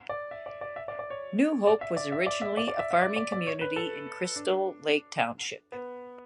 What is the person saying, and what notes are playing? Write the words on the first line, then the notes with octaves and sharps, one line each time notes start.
New Hope was originally a farming community in Crystal Lake Township.
D5
E5
D5
D5
E5
D5
D5
C#5
D5
E5
D5
E5
D5
E5
D5
D5
E5
E5
D5
D5
D5
C#5
B4
A4
D4
B3